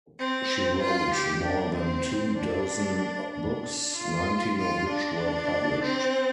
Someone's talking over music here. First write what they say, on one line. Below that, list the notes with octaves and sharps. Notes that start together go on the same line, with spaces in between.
She wrote more than two dozen books, nineteen of which were published.
C4
F4
G4
D4
C4
D4
D4
F4
F4
D4
C4